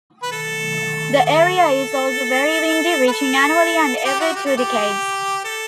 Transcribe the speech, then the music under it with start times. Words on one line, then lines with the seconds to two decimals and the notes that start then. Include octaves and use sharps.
The area is also very windy, reaching annually and every two decades.
0.22 B4
0.32 A4
1.26 A4
3.07 B4
3.11 A4
3.97 A4
4.05 G4
4.20 F#4
4.36 G4
4.46 A4
4.57 G4
5.45 A4